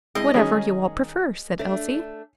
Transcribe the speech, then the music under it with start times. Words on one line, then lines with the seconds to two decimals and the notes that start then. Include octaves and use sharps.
"Whatever you all prefer," said Elsie.
0.15 G2 G#3 C4 E4 G#4 D#5
0.34 D#3 G3 C#4 D#4 F#4 G#4
1.59 A3 D4 C#5